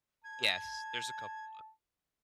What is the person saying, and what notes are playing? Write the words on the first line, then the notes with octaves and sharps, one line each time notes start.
Yes. There's a couple of
A5 G#6